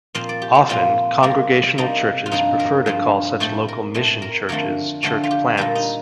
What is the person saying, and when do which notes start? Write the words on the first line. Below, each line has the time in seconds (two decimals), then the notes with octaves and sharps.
Often congregational churches prefer to call such local mission churches church plants.
0.15 A#2 F3 C4 F5
0.29 D5
0.42 G4
0.55 G4
0.69 A#2 F3 C4 F4
1.23 C3 G3 A#3
1.78 C3 G3 A#3 D#4
2.26 F4
2.31 G2 F3 C4 D#4
2.60 A#4
2.86 G2 F3 C4
3.40 A2 A3 C4 C5
3.68 A#4
3.94 A2 A3 C4
4.22 A#4
4.49 F2 D3 A3 C4 A#4
5.03 F2 D3 A3 C4 A4
5.24 F4
5.31 G4
5.57 A#2 G3 A#3 A4
5.75 D#4